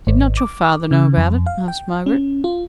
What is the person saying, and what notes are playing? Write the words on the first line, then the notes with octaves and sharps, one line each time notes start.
'Did not your father know about it?' asked Margaret.
G#1
D6
C#3
F2
F5
G5
C#4
F4